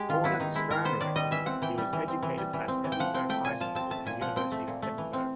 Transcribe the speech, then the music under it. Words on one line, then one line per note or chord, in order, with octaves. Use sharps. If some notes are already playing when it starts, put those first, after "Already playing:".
Born at Stranraer, he was educated at Edinburgh High School and University of Edinburgh.
Already playing: G#3 G4
D#3 F4
B3 E4
D#3 D#4
G#3 E4
D#3 A#4
B3 C5
D#3 D5
G3 D#5
E3 E5
C4 F#5
E3 G5
G3
E3
C4
E3
G3
E3
C4
E3
G5
F3 F#5
C4 G5
A3 G5
A#2 G#5
F3 A5
C4 A5
A3 A5
A#2 G#5
F3 F#5
C4 G5
A3
A#2
A3
E3
C4